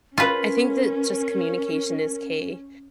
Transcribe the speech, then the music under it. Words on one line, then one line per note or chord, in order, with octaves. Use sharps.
I think that just communication is key.
C#4 F4 A#4 B4